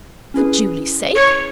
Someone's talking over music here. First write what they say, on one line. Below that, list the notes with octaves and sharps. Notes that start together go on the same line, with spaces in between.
"For Julie's sake!"
C#4 E4 G#4 B4
C#5